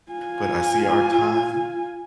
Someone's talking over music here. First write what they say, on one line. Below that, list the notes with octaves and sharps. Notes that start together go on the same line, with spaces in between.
but I see our time
F4 G#5